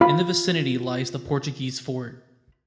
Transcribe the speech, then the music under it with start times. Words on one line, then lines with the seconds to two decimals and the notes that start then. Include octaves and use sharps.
In the vicinity lies the Portuguese Fort.
0.01 F4 B5